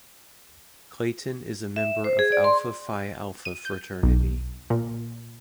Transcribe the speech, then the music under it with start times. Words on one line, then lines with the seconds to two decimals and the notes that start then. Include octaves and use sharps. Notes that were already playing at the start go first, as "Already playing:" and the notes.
Clayton is a member of Alpha Phi Alpha fraternity.
1.76 E5
2.04 C5
2.19 G#4
2.32 D5
2.44 C6
3.45 D#7
3.65 G6
4.03 B1
4.70 A#2